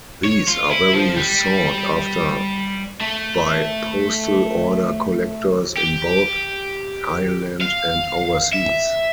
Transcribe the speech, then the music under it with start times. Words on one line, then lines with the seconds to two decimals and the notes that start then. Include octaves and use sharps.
These are very sought after by postal order collectors in both Ireland and overseas.
0.25 C#5
0.48 F4
0.71 E4
0.93 F3
1.16 G3
3.01 A3
5.77 G4
7.61 F5
8.53 E5